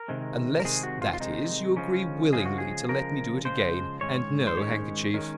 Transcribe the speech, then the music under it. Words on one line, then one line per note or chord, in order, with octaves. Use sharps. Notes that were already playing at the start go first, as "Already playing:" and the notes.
"Unless, that is, you agree willingly to let me do it again, and no handkerchief."
Already playing: A#4
C3 D#3 G#3 C4
A#4
C3 D#3 G#3 C4 G#4
F#4
F4
F4
C3 D#3 G#3 C4 D#4
C#3 F3 G#3 C#4
C#3 F3 G#3 G#4
F#4
G#4
C#3 F3 G#3 A#4
C#3 F3 G#3 C5
G#2 D#3 G#3 C#4 C#5
C5
G#2 D#3 G#3 C#4 C#5
D#3 G#3 C#4